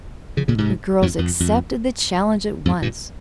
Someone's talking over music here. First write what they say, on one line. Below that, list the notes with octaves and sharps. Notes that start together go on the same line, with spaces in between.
The girls accepted the challenge at once.
C#3 F3
A#2 C#3
G#2 C3
F2 G#2
F2
F2
F2 G#2
G2 A#2